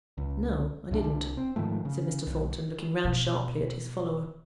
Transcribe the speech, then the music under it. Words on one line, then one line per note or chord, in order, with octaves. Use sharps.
'No, I didn't,' said Mr. Thornton, looking round sharply at his follower.
C#2
C2 C3 D4
C4
G#2 D#3 F3 A3
C#3
B1
B2